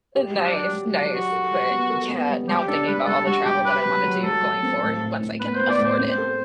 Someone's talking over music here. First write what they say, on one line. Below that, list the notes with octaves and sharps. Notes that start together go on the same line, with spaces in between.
Nice, nice, but yeah, now I'm thinking about all the travel that I wanna do going forward once I can afford it,
G4
F#3
C4
D4
G4
F#3
F#3 D4
F#4 G4
A4
G3
B3
A4
B3
G3
G3 G4
D4 A4
G3 B4
G3 A4
G3 F#4
G3 G4
G4 B4
F#3
F#3
F#3 A4
F#3
C4
A2
A2
A2
B3 B4
B3 C5
D5
A2
C5
C4 C5
A4